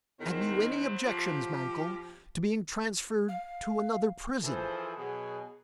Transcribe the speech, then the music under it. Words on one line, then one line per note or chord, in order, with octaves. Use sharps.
"Have you any objection, Mankell, to being transferred to another prison?"
E2 A2 D#3 F#3 C5
F3 G4
F5
E3 F3 G#4 A4 C5
B2 F#3 G#4